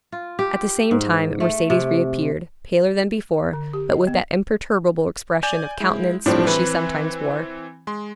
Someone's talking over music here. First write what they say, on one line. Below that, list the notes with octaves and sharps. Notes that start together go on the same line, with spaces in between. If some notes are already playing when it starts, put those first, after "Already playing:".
At the same time Mercedes reappeared, paler than before, but with that imperturbable expression of countenance which she sometimes wore.
F4
G4
G#2
A3
C3
D3
G4
D#5
B3
D5 G#5 G6
G#3 E4
A2 F3 G3 C4 D4
E3 C4 B4
G#3 C6